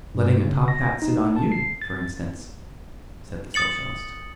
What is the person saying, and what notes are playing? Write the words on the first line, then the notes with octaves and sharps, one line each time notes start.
"Letting a top hat sit on you, for instance," said the Socialist.
G2
C#3
A#6
D#4
A5
C7
A6
D#6 A6 C#7 F#7